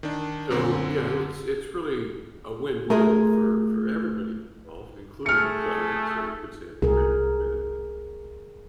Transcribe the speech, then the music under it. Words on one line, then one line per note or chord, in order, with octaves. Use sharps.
So, yeah, it's it's really a win-win for for everybody involved, including the planet, so you could say it's win-win,
D#3 D4
F#2 D3 C4
A3 F4 G#4 A#4
A3 G#4 F6 C#7
C2 G#4 A#4